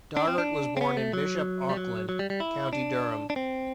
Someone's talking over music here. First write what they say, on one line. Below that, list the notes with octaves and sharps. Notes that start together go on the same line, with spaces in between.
Doggart was born in Bishop Auckland, County Durham.
D4
C4
D4
C4
B3
A3
F#3
G3
F#3
F#3
G3
G3
E4
D4
D4
C4